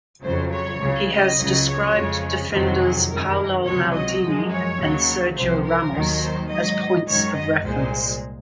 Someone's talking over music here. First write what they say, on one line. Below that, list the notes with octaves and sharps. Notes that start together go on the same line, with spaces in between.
He has described defenders Paolo Maldini and Sergio Ramos as points of reference.
F2 C#3 F#3 C5
C#5
C#2 C#3 F#3
D#5
C#2 C#3 F#3
C#5
F2 C#3 G#3
F2 C3 D#3 F#3 C5
G#4
F#2 D#3 G#3 A#4
C#2 C3 F#3 C#5
D#5
F#2 F3 G#3
C#5
D#2 C#3 F#3
C2 C3 F3 C5
A#4
D#2 D#3 F#3
C5
G#2 F#3 D#5
F#2 D#3 G#3 C#5
D#5
C2 A#2 G#3 C5